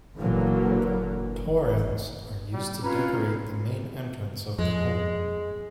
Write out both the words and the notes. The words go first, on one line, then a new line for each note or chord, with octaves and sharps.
Torans are used to decorate the main entrance of the home.
A#2 D3 E3 F#3 A#3
G3
C4 C#4 E4 F4 B4 A#5 B5
F2 G#3